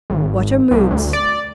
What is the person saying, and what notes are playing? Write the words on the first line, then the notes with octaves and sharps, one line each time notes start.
What are moods?
G#1
C2
D2
D5